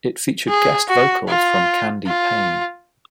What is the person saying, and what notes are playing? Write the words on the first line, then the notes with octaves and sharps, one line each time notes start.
It featured guest vocals from Candie Payne.
G#4
F#4
F4
F4